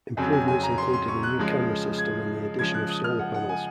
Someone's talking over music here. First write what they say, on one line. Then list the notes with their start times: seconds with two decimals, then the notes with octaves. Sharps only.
Improvements included a new camera system and the addition of solar panels.
0.17 F2 C#3 F#3 C4 G#5
0.33 G#5
0.48 G#5
0.63 A#5
0.78 C6
0.93 C6
1.08 C#6
1.23 F#6
1.38 C#3 F3 G#3
1.98 G#6
2.59 C#3 F3 G#3 G#6
2.74 F#6
2.89 D#6
3.04 F6
3.19 F#5
3.34 F#5
3.49 G#5